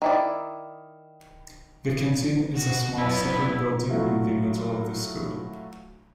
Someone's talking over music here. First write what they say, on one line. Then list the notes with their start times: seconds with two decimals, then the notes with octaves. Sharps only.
The canteen is a small, separate building in the middle of the school.
0.02 D#3 E4 D5
2.54 B2 F#4
2.98 F2 F#3 G3 B3 E4 B4
3.89 F#3 A3 E4 F4